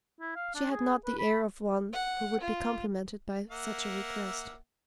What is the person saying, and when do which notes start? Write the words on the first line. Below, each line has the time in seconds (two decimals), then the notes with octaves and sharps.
She had not the air of one who would be complimented by such a request.
0.21 E4
0.36 F5
0.55 D4
0.71 G#4
1.06 B4
1.19 B5
1.93 F#5
2.41 F4
3.50 A#3 E5 F#5